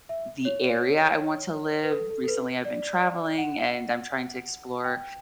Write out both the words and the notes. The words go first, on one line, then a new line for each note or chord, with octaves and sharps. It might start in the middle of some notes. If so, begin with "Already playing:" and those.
the area I want to live. Recently, I've been traveling, and I'm trying to explore
E5
C#5
B4
A4
A4
A4
B4
D5
F#5
G5